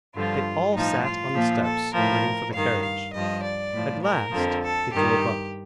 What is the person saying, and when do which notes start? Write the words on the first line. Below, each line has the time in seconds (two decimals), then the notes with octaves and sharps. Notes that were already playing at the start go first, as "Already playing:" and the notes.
They all sat on the steps waiting for the carriage. At last it drove up.
0.15 G2 D3 F3 F4
0.74 A2 F3 D#4
1.04 F4
1.35 A#2 F3
1.63 A4
1.93 A2 F3 A#4
2.53 G2 D#3 F5
2.83 F5
3.13 G2 F3 D#5
3.43 D5
3.73 A2 F3
4.03 A#4
4.32 F2 D3 F3
4.62 A4
4.93 G2 D#3 G4